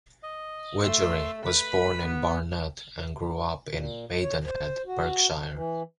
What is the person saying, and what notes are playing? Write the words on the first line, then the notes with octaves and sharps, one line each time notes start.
Widgery was born in Barnet and grew up in Maidenhead, Berkshire.
D#5
A3 C6 E6
B4 B5
B3
A#2
C#5
C5
F#4
E3